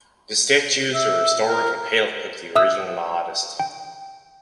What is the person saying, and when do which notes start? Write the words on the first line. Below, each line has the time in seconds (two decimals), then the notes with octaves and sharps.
The statues were restored with help of the original artist.
0.94 E5
1.49 A#4
2.56 E5 D#6 E6 F#6
3.60 G5